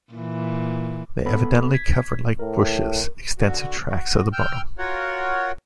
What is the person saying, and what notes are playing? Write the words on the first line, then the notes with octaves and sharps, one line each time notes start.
They evidently cover like bushes extensive tracts of the bottom.
A#2 E3
B3 A4 B5
G#6 B6
A2 A#4
D3 F#4
F#4
G5 E6 F6 G6
F4 F#4 A#4 C#5 F#5